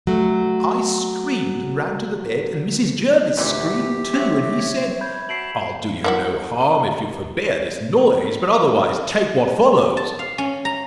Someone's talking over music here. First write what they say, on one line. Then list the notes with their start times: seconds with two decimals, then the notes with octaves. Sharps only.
I screamed, and ran to the bed, and Mrs. Jervis screamed too; and he said, I'll do you no harm, if you forbear this noise; but otherwise take what follows.
0.07 F#3 A3
3.37 D2 A#2 E3 G4 E5
4.13 F#3 C4 C#6
4.60 G#6
5.01 B5 G6 G#6
5.29 F#4 E5 A5 C7 D7 F#7
6.04 A#3 E4 F#4
9.97 A5
10.19 F5
10.38 C#4
10.65 A#5